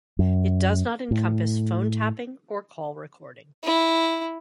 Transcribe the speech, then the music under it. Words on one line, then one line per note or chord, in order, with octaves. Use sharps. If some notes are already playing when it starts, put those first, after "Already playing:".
It does not encompass phone tapping or call recording.
F#2
A2
E4